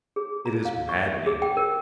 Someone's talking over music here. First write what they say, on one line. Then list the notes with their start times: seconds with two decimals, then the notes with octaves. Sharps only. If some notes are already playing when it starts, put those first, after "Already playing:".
It is maddening.
0.16 G#4
0.46 A#5
0.65 F5
0.89 C#6
1.05 E5
1.26 G#4
1.42 G5
1.57 A#4